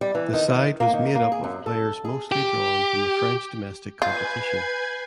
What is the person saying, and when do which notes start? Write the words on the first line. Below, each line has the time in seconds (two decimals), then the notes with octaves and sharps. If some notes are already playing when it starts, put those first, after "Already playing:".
The side was made up of players mostly drawn from the French domestic competition.
0.01 G3
0.15 E3
0.33 D#3
0.48 D#3
0.80 A#3
0.93 D#3
1.15 A#3
1.32 G#4
1.44 F#2
1.66 A4
2.05 G#4
2.32 G4
4.02 F4 B4 G#5 G6 G#6 C7